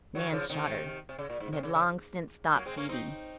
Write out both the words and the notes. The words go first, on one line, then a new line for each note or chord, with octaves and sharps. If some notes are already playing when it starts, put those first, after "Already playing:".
Nan shuddered, and had long since stopped eating.
D#3 F#3
C#3 F3
C3 D#3
C3
C#3
A#2
G#2
C3
C#3
C#3
F#3 A#3
G#3 C4
A#3 C#4
C4 D#4